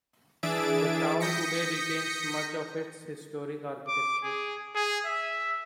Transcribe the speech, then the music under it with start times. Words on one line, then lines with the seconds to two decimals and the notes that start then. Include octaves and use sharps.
The town today retains much of its historic architecture.
0.43 E3 D4 G#4 E5 A6 D7
1.20 D#6 G6 A#6 B6 C#7
3.88 D6
4.24 G#4
4.75 G#4
5.06 E5